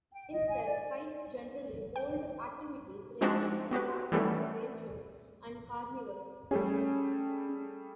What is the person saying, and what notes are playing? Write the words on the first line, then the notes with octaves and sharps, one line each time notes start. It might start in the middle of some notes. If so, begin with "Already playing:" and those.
Instead, sites generally hold activities ranging from dances to game shows and carnivals.
G5
D#5
G#5
D5
G5
F3 G#3 C4 D4 D#4 F#4
B3 F#4 G4 B4
E3 G3 A3 B3 C#4
G3 A3 C#4 G#4